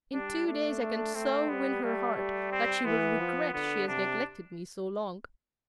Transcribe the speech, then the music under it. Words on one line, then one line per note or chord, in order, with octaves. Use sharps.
"In two days I can so win her heart that she will regret she has neglected me so long."
G3 D4
A3 D4
A3
A3 C4
G3 B3
G3 A3
G3
C4
E3 B3
F3
D3 B3
C3 D4